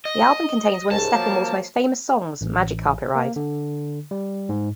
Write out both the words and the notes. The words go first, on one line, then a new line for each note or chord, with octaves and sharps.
The album contains one of Steppenwolf's most famous songs, "Magic Carpet Ride".
D#5
C2 G#2 C#3 A5
F3 F#3 A#3
A1
A#3
D3
G3
G#2